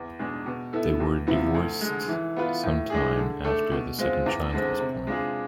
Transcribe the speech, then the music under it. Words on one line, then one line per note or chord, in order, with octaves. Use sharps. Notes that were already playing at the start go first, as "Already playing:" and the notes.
They were divorced sometime after the second child was born.
Already playing: E2
B2 G#3 D4 G#4
B2
B3 E4 A4
E2
C3 F3 B3 E4
D2
D3 G#3
E3
B3 F4 B4
A2
G#3 D4 G#4
D3
A3 D4 A4
B2
G#3 C4 F4
E2
D3 G#3 C4
C3
G#3 D4 F4 G#4